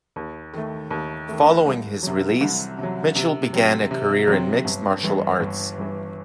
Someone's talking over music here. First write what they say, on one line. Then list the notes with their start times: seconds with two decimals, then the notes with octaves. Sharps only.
Following his release, Mitchell began a career in mixed martial arts.
0.16 D#2
0.54 D#3 A3
0.91 D#2
1.28 D#3 A3
1.66 C2
2.03 C3 F#3
2.41 C2
2.78 C3 F#3
3.15 C3
3.53 F#3 C4
3.91 C3
4.28 F#3 C4
4.65 G1
5.03 G2 E3
5.40 G1
5.78 G2 E3